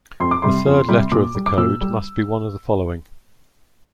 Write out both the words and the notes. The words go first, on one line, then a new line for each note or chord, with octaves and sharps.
The third letter of the code must be one of the following.
F2 C6
D6
C3 G3 C6
F2
C3 G3
A#2 D6
G3
D6
A#2 E6
G3